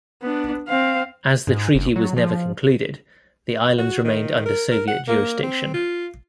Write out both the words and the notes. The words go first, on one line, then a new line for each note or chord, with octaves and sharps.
As the treaty was never concluded, the islands remained under Soviet jurisdiction.
B3 D4
C4 F5
G#2
F#1
F#3
F3
F#4
D#3
A#4
A#4
F#5
A#3
C4
F4